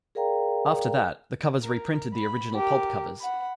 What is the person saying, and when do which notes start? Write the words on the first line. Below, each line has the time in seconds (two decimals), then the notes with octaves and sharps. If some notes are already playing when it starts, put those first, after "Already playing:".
After that, the covers reprinted the original pulp covers.
0.15 G#4 A#4 D5 F5 G5 A#5
1.63 A#4
2.15 B5
2.56 G4 A#4
3.20 F#5 B5